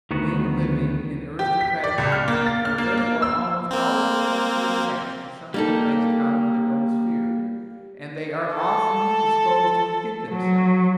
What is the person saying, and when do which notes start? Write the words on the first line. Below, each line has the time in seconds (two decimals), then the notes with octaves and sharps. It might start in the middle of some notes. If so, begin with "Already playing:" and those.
Men living in aristocratic ages are therefore almost always closely attached to something placed out of their own sphere, and they are often disposed to forget themselves.
0.11 D2 D#3 B3 F#4
1.39 G4
1.61 B6
1.84 D5
1.98 C#2
2.12 F6
2.28 A#3
2.46 A6
2.65 F6
2.78 A#3
2.97 A#3
3.22 E6
3.71 A#3 C4
5.54 G3 A#3 D#4 A4
8.54 A4
10.30 F#3